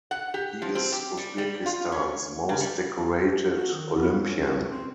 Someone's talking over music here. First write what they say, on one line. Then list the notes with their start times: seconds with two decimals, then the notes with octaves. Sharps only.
He is Uzbekistan's most decorated Olympian.
0.11 F#5
0.34 G4
0.62 F3
0.75 C4
0.92 G4
1.17 G3
1.38 G3
1.66 F4
1.92 C#4
2.49 C#3
2.60 G3
3.57 F#4
3.72 D#3
3.96 B3
4.22 C#4
4.71 C4